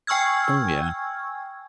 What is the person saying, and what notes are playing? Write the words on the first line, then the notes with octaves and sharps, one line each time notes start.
Oh, yeah.
G5 G#5 C#6 E6 F6 G#6